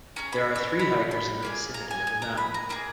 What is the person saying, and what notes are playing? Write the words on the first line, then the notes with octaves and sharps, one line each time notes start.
There are three hikers in the vicinity of a mountain.
C#4 G#4 A#5
B5
B5
B5
B5
A#3 E4 G#4
A#5
G#5
G#5
A#5
B5
A#5
A#3 E4 G#4 A#5